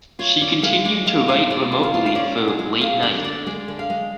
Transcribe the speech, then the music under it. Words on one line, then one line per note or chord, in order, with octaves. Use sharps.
She continued to write remotely for "Late Night".
F4 C#5
C#4 D5
G#3 F5
G#3 D5
G#3 F5
G#3 F5
G#3 D5
F4
F5
F4
F5
C#4 D5
B2
G#4
G#3
G#3 F5
D3 D5
D3 D5
G#3 D5
D3
F5
G#3